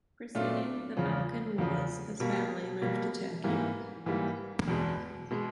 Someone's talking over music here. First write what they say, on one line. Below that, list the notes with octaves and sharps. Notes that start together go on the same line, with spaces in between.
Preceding the Balkan Wars, his family moved to Turkey.
A#2 F#3 A3 D4 F4
E2 C#3 F3
E2 C#3 F3
B2 G3 A#3
B2 G3 A#3
G#2 E3 G3 A#3
G#2 E3 G3 A#3
E2 B2 G#3
B2 G#3